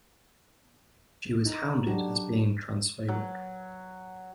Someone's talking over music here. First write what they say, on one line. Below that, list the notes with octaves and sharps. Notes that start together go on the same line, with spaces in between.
She was hounded as being transphobic.
D#4
F#3 D4 F#4 G4
F#3